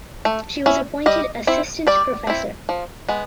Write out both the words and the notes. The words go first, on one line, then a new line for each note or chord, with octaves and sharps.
She was appointed assistant professor.
A3
C#4 E4
G3 D#5
C4 E4
G3 D5
C4 E4
F3
G#3 B3